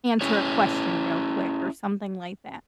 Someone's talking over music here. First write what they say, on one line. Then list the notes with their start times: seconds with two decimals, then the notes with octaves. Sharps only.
answer a question real quick or something like that.
0.21 C#4 E4 G#4 C#5